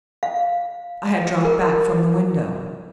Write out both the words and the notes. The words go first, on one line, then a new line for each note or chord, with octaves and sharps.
I had dropped back from the window.
F5
A#4